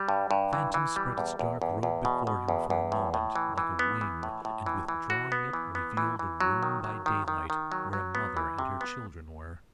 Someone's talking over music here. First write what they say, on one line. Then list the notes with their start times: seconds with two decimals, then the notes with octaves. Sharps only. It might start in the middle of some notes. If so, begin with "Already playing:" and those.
The Phantom spread its dark robe before him for a moment, like a wing; and withdrawing it, revealed a room by daylight, where a mother and her children were.
Already playing: G3
0.09 G2
0.31 G2
0.53 E3
0.74 E3
0.96 G3
1.18 E2
1.39 E2
1.62 E2
1.83 E2
2.05 B2
2.27 B2
2.48 E2
2.70 E2
2.92 A2
3.14 A2
3.36 E3
3.58 E3
3.79 B3
4.01 E3
4.23 A2
4.45 A2
4.66 E3
4.88 E3
5.10 F#4
5.32 B3
5.53 E3
5.75 B3
5.97 E3
6.19 E3
6.41 F#3
6.63 D#3
6.84 F#3
7.06 D#3
7.28 D#3
7.50 D#3
7.72 F#3
7.93 F#3
8.15 B3
8.37 E3
8.58 C3
8.81 B3